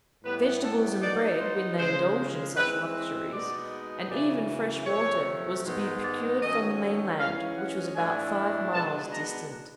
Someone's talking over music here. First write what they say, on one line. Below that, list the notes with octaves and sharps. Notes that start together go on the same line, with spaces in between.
Vegetables and bread, when they indulged in such luxuries, and even fresh water, was to be procured from the mainland, which was about five miles distant.
A2 E3 G3 B3 B4
A4
B2 F#3 B3 D#4 D5
C5
C#3 F3 G#3 C5
E3 G#3 C4 B4
B4
B2 G#3 B3 D#4 D5
F#2 C#3 E3 D5
C3 F3 A3 C#5
G#2 D#3 G#3 B3 D#4
D5
D#3 F#3 A3 C#4 D#5
E3 G#3 C#4 F5
F#5
A2 E3 A3 D4 G#5
B2 G#3 B3 D4 A5
A#5